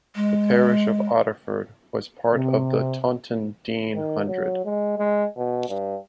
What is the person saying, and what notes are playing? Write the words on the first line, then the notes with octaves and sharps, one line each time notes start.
The parish of Otterford was part of the Taunton Deane Hundred.
G#3
C3
D#3
F#3
G#3
G#3
B2
G2